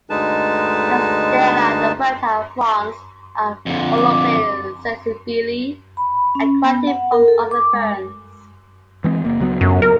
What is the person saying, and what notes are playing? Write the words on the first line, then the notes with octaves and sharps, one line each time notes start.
The sterile and fertile fronds of "Onoclea sensibilis" are quite different from other ferns.
D2 D3 G#3 D#4 B4 A5
F2 D3
D6
B5
C#4
B3
F#5
A#4
A4
D6
G#3
E3 G#3 C4
F#1 A#3
C#2 F#3 B3
F#2
A#4